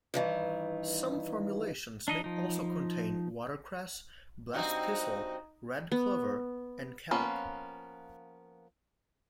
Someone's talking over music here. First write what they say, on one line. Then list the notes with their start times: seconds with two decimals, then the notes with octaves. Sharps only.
Some formulations may also contain watercress, blessed thistle, red clover, and kelp.
0.14 G2 D#3 E3
2.08 D4 D#4 D#5
2.24 F3 D#4
4.53 G2 C4 D#4 F#4
5.92 B3
7.11 F3 A#3 B3 C#4